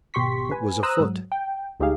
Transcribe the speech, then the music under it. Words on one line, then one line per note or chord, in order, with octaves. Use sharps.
What was afoot?
G#1 B2 G4 C6 C#6 B6
B4 G#5
C5 A#5 D#6 E6 F#6
G#2 F#3
G5
D2 G#3 D#4 G4 G#4 F5